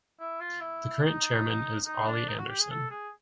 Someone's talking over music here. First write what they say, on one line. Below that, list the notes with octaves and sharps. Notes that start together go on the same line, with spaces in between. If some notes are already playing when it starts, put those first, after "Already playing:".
The current chairman is Ole Andersen.
E4
F4
E4
D#4
D#4
D4
D#4
F#4
G4
G#4
A4
G#4